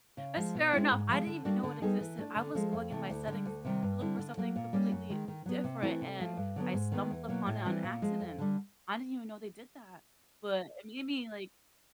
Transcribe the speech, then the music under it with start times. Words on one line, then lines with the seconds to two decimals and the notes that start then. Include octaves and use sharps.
That's fair enough. I didn't even know it existed. I was going in my settings to look for something completely different, and I stumbled upon it on accident. I didn't even know they did that, but it made me, like,
0.17 C#3
0.37 F3 G#3
0.55 B2
0.73 G#3 C4 E4 G4
0.91 G#2
1.09 F3 G#3
1.26 D3
1.45 G3 A#3 D4 F#4
1.63 D3
1.82 G3 B3 D#4 G#4
2.01 E3
2.18 A3 D4
2.36 D3
2.55 F3 G#3
2.73 F2
2.91 C3 E3 A3
3.10 D2
3.28 D3 G3
3.45 D2
3.65 C3 D#3 G3
3.82 G2
4.00 D3 G3 C4 E4
4.19 D3
4.37 F#3 A#3
4.56 A#2
4.73 G3 A#3 C#4
4.92 F#2
5.10 D#3 G#3
5.28 D#3
5.46 F#3 B3
5.64 C3
5.83 E3 A3 C4 E4
6.01 C3
6.20 F3 A3
6.37 G2
6.56 D3 F#3 B3
6.73 G#2
6.92 D#3 G#3 B3
7.11 E2
7.28 B2 F#3 A#3
7.46 A2
7.65 E3 G3 C4
7.83 A#2
8.02 F3 G#3
8.20 F2
8.38 D3 G3